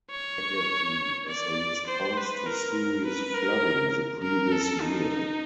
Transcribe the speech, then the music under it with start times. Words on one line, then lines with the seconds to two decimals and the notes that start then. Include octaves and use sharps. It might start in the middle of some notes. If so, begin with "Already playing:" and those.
Agathe, as a response to serious flooding the previous year.
0.11 C#5
1.28 D5
1.88 C5
2.17 B4
2.46 A#4
3.05 B4
3.34 A#4
4.23 A#4
4.52 A4
4.82 D#4